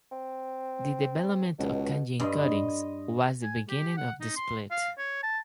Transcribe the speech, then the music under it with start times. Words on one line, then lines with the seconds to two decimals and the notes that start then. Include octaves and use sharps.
The development of kanji encodings was the beginning of the split.
0.12 C4
1.59 C#2 B2
2.20 G2 D#5 B5 C6
3.43 G#5
3.69 G4
3.97 F#5
4.20 D#4
4.36 C6
4.71 F5
4.98 C#5
5.23 A5